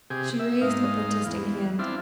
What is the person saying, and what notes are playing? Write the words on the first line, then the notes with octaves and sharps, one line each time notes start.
She raised a protesting hand.
C3 G4 G#4
E5
G#2 D#4 F5
E2
C4 D4 E4 F4